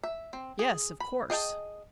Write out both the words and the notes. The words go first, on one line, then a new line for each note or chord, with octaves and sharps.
"Yes, of course."
E5
C4
G#4
B5
G#4 D#5 G5 A5